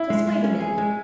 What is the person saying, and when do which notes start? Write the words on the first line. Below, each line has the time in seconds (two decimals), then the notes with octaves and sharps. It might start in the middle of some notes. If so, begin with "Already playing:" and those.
"Just wait a minute."
Already playing: E4
0.10 G#3
0.27 G#3
0.44 C#4
0.61 G#4
0.78 G#3